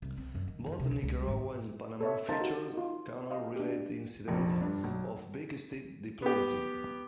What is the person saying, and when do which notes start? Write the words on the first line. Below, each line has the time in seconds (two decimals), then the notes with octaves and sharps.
Both Nicaragua and Panama featured canal related incidents of Big Stick Diplomacy.
0.02 C2
0.17 C4
0.35 F#2
0.47 D#3
0.66 F#2
0.79 C3
0.91 C#2
1.03 C#2
1.17 G3
1.28 G#1
2.00 A4 C#5 E5
2.29 D#4 A#4 C5 F5 A5
2.41 F#4 G4
2.73 D#4 F4
3.31 D#5 F5
3.56 D4 G4
4.28 F1 A#1 F2
4.61 G2 D4
4.84 B1
6.22 B3 G4